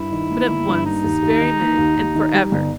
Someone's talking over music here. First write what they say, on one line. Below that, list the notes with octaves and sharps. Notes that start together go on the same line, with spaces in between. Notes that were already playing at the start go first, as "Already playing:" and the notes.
But, at once, this very minute, and for ever.
Already playing: G2 E4
D#3
A#3
G1
G2
A#3 D#4
D#2
D#2
D#3
A#3
D#2
D#2
D#3
G3 D#4
G1